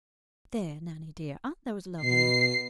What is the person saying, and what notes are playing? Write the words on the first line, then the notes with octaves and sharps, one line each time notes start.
There, Nannie dear, aren't those lovely?
B2 C7